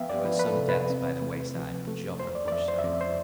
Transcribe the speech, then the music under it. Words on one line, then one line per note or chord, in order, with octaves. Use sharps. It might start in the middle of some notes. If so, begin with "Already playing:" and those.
There were some deaths by the wayside, but Joffre pushed on.
Already playing: F3 B3 E5 F5 G5
D5
F3 B4
B4
A4
C3
B4
C4
A3
F3
A3
F2 C5
D5
D5
F2 E5
C5
E5
F2 D5
C5